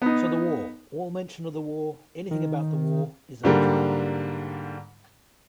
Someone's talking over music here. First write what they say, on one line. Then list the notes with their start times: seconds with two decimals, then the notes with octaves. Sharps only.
So the war, all mention of the war, anything about the war, is omitted.
0.02 B3 D#4
2.31 D#3
3.43 G#2 D3 G3 A#3